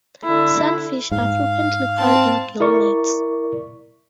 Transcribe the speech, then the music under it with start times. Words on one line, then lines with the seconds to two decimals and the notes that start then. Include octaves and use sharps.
Sunfish are frequently caught in gillnets.
0.24 D3 E4
1.11 G#2 F5
1.97 C4 A5
2.60 E4 A#4 D5 C#6